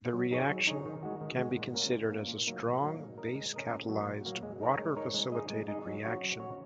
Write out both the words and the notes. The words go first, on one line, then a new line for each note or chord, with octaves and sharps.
The reaction can be considered as a strong-base-catalysed, water-facilitated reaction.
F#3
D#4 G#4 C#5
F#3
D#4 G#4 C#5
D#3
G#3 F#4
D#3
G#3 F#4
A#2
A#3 C#4 A#4
A#2
A#3 C#4 A#4
A#2
F#3 A#3 D#4
A#2
F#3 A#3 D#4
G#3
C#4 A#4 D#5
G#3
C#4 A#4 D#5
A#2
F#3 A#3 F#4
A#2
F#3 A#3 F#4
G#3
D#4 A#4 C#5
G#3
D#4 A#4 C#5
G#3
D#4 G#4 D#5
G#3
D#4 G#4 D#5
F#3
C#4 F#4 C#5
F#3
C#4 F#4 C#5